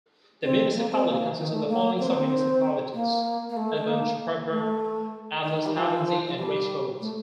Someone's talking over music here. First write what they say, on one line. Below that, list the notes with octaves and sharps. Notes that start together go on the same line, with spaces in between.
The municipality consists of the following sub-municipalities: Aubange proper, Athus, Halanzy, and Rachecourt.
C4
A#3
C4
A#3
D#3
A3
A#3
C4
A#3
C4
A#3
A#3
A3
A3
A#3
A3
D#3
G3
F3
F3
G3
A3